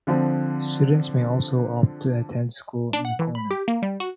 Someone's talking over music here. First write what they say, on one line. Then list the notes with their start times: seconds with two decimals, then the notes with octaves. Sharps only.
Students may also opt to attend school in Nocona.
0.07 D3 F3 C4
2.93 D4
3.05 F#5
3.19 E3
3.35 B5
3.51 G4
3.68 A#3
3.82 G3
4.00 F#4